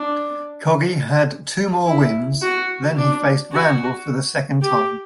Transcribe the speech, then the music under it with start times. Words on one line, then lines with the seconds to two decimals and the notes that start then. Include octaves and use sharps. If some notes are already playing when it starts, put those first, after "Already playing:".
Coggi had two more wins, then he faced Randall for the second time.
Already playing: D4
1.86 E4
2.42 F#4
2.97 D4
3.52 F#4
4.62 G4